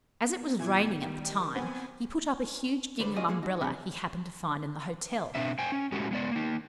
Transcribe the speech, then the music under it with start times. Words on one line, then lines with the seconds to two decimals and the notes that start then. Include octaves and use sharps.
As it was raining at the time, he put up a huge gingham Umbrella he happened to find in the hotel.
0.23 B3
0.59 A#2 E3 G#6
1.01 D#3 G3 G5
1.55 B3 C4 G#5
2.99 D#2 D3 G3 B4 C5
3.15 G3 C#4 F4 D5 D#5 G#5
3.28 G#3 A#3 G#4 C#5
3.42 D#4 F#4
3.61 E2 C3 D4 F#4 G#5 B5
5.35 B2 C4 D4 E5
5.58 C5 G5 G#5
5.72 C#4
5.92 G#3 A3 C#4 F#4 G4
6.11 G#3 B3 D5
6.31 A#3 D#4